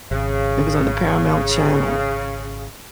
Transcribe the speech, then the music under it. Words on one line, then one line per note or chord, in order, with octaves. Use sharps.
It was on the Paramount Channel,
G#1 C#3